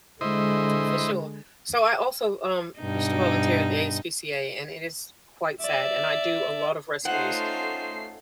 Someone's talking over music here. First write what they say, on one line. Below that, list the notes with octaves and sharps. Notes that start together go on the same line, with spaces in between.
For sure. So, I also, um, used to volunteer at the ASPCA, and it is quite sad, and I do a lot of rescues.
D3 G#3 E4 C5 D#5
G2 B2 D#4
D5 E5
A3 C#4 D#4 F4 C5 F#5 C7